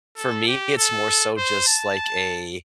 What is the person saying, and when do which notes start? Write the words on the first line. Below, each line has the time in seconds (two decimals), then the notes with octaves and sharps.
for me, it's more so just like a
0.17 A4
0.47 G4
0.77 A4
1.37 C5
1.67 A5